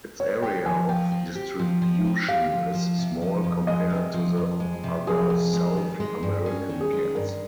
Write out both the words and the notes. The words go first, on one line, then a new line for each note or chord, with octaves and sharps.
Its area of distribution is small compared to the other South American cats.
C4 C#5
G4 G5
F3 G#5
F3 G5
C4
G4
F3
F3
C4
G4 F5
F3
F3
C3
F3
F2
G#3 D#5
C3
F3
F2
G#3
C3
F3 G#4
F2
G#3
D#3
G#3
G2
C#4
D#3
G#4
G#3
G2 A#4